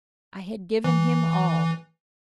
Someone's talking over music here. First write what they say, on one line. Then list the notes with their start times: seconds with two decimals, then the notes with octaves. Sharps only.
I had given him all.
0.84 E3